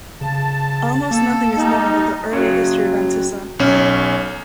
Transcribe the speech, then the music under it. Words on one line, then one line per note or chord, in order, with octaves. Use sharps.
Almost nothing is known about the early history of Antissa.
C#3 A5
A#3 A4
G3 D#4
C#3 F#3
B1 C#4